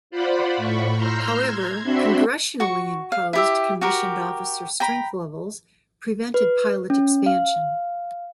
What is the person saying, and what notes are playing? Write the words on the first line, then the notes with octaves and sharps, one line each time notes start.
However, congressionally-imposed commissioned officer strength levels prevented pilot expansion.
F4 C5 D5 F#5 B5
A2 B5 C#6
A#5 C6 E6 F6 G6 A#6
G#6
C4 D4 F#4 E5 B5 C6
F#4 C#6
F5
E4 G4 E5
F#4 G4 A#4
G5 A#5 B5
B4
C#4
F5